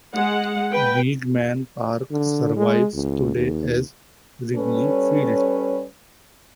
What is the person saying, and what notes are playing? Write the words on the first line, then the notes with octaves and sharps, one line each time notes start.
Weeghman Park survives today as Wrigley Field.
G#3 F#5
B4 G5
D3
G#3
C#2
D#2
G3 C#4 A4 B4 C#5